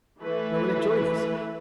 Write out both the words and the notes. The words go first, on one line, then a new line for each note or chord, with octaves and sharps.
"Where will it join us?"
E3 A3 E4 B4